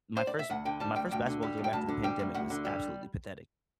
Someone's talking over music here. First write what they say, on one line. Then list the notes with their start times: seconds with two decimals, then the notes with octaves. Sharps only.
my first my first basketball game after the pandemic was absolutely pathetic
0.17 C5
0.27 D5
0.39 E5
0.50 D2 F#5
0.65 D3 G5
0.80 G3 A5
0.96 D2 G5
1.11 D2 G5
1.27 D3
1.43 G3
1.57 D2
1.64 G5
1.73 D2 A5
1.89 D3
2.04 G3 G5
2.19 D2
2.34 D2 F#5
2.50 D3
2.65 G3